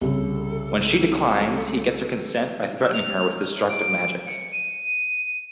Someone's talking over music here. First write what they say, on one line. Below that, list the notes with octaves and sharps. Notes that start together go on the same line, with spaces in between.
When she declines he gets her consent by threatening her with destructive magic.
C2 C#3 A4
E6
F7
F6
D7
C#7
D#7